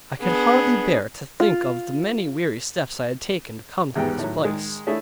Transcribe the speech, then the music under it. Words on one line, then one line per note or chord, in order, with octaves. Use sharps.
I could hardly bear to think of the many weary steps I had taken, to come to this place.
B3 D4 G#4
F4
E2 G#2 G3 B3 G5
A2 D#3 F#3
D#3 G#3
A3 D4 E4 G#4 C#5 E5